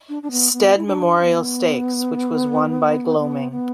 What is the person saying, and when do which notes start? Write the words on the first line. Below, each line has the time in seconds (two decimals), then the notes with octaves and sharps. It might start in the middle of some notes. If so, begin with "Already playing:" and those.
Stead Memorial Stakes which was won by Gloaming.
0.09 D4
0.23 D4
0.31 B3
0.53 B3
0.76 E4
0.86 D4
1.19 D4
1.23 B3
3.18 B3
3.51 B3